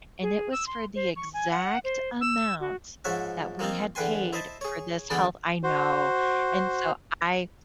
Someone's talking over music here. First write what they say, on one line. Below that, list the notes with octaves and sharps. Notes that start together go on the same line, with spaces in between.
And it was for the exact amount that we had paid for this health I know. And so I
G#4
E6
C6
C5
C#6
G#5
F#5
C5
E6
F#4
G#2 F3 C#5 E5 F#5
F3 A#3 C4 D#4 F4
E2 D3 B4 G5 G#5 C6
E4 C5 D#5 E5 A5
G#4 C#5
D2 D3 E3 B3 G#4 D5
F#4 C5